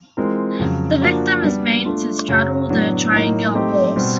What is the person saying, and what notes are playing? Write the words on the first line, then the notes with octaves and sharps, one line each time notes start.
The victim is made to straddle the triangular horse.
E3 G#3 C4 F4 A#4
F2 C#3 F#3
F3 A#3 D4 F#4
G3 B3 D4
A3 D4 F4
F#2 C#3 F#3
A2 F#3 B3 D4
A2 F#3 A#3 D#4
A3 C4 D#4 G4
B2 G3 C4